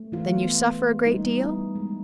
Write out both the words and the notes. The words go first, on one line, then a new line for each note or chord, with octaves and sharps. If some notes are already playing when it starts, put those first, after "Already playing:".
"Then you suffer a great deal?"
Already playing: A3
E3 F4
B3
B3
B3
G3 D#4
B3
E4
G3
G#3